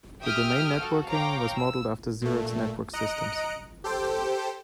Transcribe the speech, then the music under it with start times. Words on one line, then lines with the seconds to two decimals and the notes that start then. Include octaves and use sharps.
The Domain networking was modeled after Xerox Network Systems.
0.23 G4 E5 G5 D#6 F6
0.76 F#4 A4
1.10 C#5 F5 G5 A#5 D6
1.59 E6
2.22 A#2 A3
2.93 D#5 A#5 F#6 C#7 D7
3.84 G4 A4 C5 G5